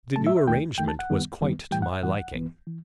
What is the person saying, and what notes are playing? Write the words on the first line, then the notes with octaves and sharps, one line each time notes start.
The new arrangement was quite to my liking.
A2 F#3 A3 A5
E5
E5
D#2 D#3 A3 G5
D#2 D#3 A3 G5
A5
F#5
F#2 D#3 G3 B3
F#2 D#3 G3 B3
A2 E3 G3 G5
F#5
E5
A2 E3 G3 F#5
G2 E3 B3
E3